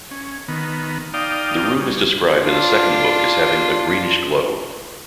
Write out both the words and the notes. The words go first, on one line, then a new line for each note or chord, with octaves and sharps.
The room is described in the second book as having a greenish glow.
C#4
D#3 B3
D#4 D5 F5 G5 D#6
G3 C#4
D4 F4